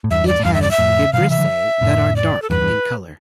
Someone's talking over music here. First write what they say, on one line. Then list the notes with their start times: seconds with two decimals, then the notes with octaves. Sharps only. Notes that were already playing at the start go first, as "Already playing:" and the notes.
It has vibrissae that are dark in color.
0.04 A2
0.11 E2 G2 E5
0.27 D5
0.40 A2
0.45 E2 G2 F5
0.54 E5
0.62 D5
0.71 E5
0.78 F2 A2
1.13 G2 B2 F5
1.21 D3 F3
1.30 C3 E3 E5
1.39 D3 F3
1.81 F2 A2
2.16 D5
2.42 A4
2.50 E2 G2 B4
2.61 E2 G2